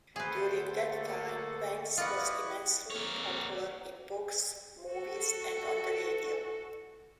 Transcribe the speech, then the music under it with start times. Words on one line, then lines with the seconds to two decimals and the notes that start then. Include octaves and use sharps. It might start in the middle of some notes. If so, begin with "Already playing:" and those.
During that time, Vance was immensely popular in books, movies, and on the radio.
0.16 D3 A3 G#4 A4 B4 C5
1.00 A#3
1.98 E4 F4 B4 D5 D#5 F#5 C#6
2.91 A#3 C#5
4.91 F#4 A4